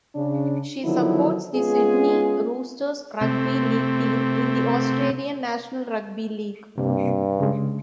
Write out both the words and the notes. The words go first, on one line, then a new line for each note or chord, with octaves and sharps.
She supports the Sydney Roosters rugby league team in the Australian National Rugby League.
C#3 D4
D3 D#3 F3 F#3 B3 E4
G#3 B3 C#4 F4 G#4
C3 A3 C4
G2 C3 A#3
C#3 G#3